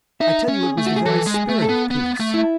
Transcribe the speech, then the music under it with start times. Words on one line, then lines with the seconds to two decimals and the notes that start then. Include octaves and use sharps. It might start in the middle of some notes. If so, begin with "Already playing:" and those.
I tell you it was the very spirit of peace.
0.20 D#4 E5
0.48 C#4
0.63 G#4
0.78 A3
0.86 F#4
0.96 G#4
1.06 E3 A4
1.26 G#3
1.34 G#4
1.49 A3
1.62 A4
1.69 B3
1.91 B3
2.20 A3
2.34 E4